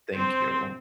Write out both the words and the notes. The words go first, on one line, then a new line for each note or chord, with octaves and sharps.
Thank you.
C4 C5